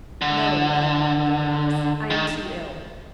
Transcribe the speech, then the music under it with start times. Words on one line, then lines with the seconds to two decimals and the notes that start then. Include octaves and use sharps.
"No," replied Madame Danglars, "I am too ill."
0.22 D3
2.11 D#3